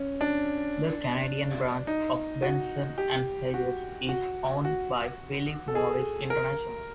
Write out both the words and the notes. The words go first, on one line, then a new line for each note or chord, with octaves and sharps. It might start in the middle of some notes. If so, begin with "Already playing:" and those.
The Canadian branch of Benson and Hedges is owned by Philip Morris International.
Already playing: C#4
D4
D#4
F#4
G4
F#4
F#4
F#4
A4
G#4
A#4